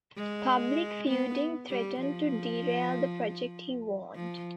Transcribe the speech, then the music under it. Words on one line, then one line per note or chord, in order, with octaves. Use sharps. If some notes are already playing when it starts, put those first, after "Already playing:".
Public feuding threatened to derail the project, he warned.
G#3
B3
G3
F3
F3